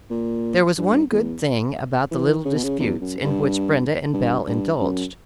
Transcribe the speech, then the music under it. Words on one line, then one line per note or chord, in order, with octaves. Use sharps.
There was one good thing about the little disputes in which Brenda and Belle indulged.
A#2
G2
E2
E3
C#3
B2
C#3
E2
F#2
G2
G2
G2
F#2